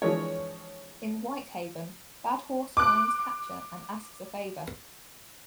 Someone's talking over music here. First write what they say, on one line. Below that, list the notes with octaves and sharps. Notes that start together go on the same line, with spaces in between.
In White Haven, Bad Horse finds Catcher and asks a favor.
E3 F3 G#3 D4 A#4 C#5
D6 F#6